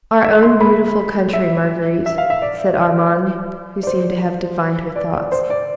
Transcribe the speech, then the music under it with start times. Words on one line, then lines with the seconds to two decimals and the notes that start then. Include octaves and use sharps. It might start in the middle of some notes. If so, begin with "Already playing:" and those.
"Our own beautiful country, Marguerite," said Armand, who seemed to have divined her thoughts.
0.24 E5
0.43 C6
0.61 B5
1.33 E5
2.06 E5
2.18 F5
2.30 E5
2.42 D5
3.83 D5
3.87 C5
4.96 D5
5.32 C5
5.50 D5